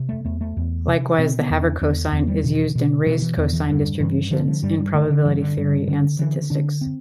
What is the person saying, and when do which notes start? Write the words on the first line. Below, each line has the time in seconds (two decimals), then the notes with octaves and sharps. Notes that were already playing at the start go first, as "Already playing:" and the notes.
Likewise, the havercosine is used in raised-cosine distributions in probability theory and statistics.
Already playing: C3
0.09 A3
0.25 E2 A3
0.41 A3
0.57 E2
0.87 C3
1.18 B2 C4
1.39 B3
1.50 E2
1.60 D4
1.81 E2 D4
2.12 E2
2.28 G3
2.44 B2 E3
2.75 B2
3.06 B2 E3
3.22 E3
3.37 E2
3.53 E3
3.69 G2 D3
4.00 G2 E3
4.31 D3 F3
4.48 F3
4.63 G2 G3
4.79 G3
4.94 D3 A3
5.10 D3
5.25 G2 E3
5.41 D3
5.57 G2
5.88 D3
6.19 D3 E3
6.50 D3 D4
6.81 C4